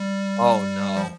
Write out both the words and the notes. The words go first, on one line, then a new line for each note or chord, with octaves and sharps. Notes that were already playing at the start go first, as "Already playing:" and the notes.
Oh, no.
Already playing: G3
F3